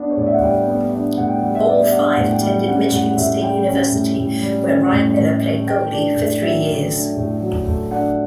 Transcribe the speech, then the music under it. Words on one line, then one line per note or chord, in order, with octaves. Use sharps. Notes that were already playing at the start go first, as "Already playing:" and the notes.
All five attended Michigan State University, where Ryan Miller played goalie for three years.
Already playing: B3 D4
C#5
A2 D5
E5
F#5
G3 G5
B3
D4
A2 F#5
G5
F#5
G3
E5
B3 D5
E5
D4 F#5
F#5
A2
G5
G3
C#4 F#5
A2 F#5
F#5
A2 E5
G3 G5
C#4
A2
A2
G3
C#4
A2
A2
G3
A3 G5
D4
A2
F#3 E5
A3
D4
A2
F#3
A3
D4 F#5